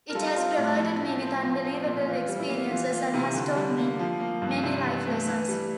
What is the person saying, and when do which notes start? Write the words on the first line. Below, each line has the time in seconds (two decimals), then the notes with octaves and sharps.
It has provided me with unbelievable experiences and has taught me many life lessons.
0.10 A#4
0.15 G3 F4 A4
0.36 C4 F4
0.57 A2 E4
0.79 F3 E4
1.00 A3
1.22 C4
1.43 F3
1.65 C4
1.86 A#2
2.07 E3 F4
2.29 G3
2.39 E4
2.50 A#3
2.71 E3 F4
2.92 A#3 F4
3.13 C3 E4
3.35 D3
3.56 G3
3.78 A#3
3.99 F3
4.20 A#3
4.42 G2
4.63 C3 E4
4.84 E3
5.06 A3
5.27 E3
5.49 G3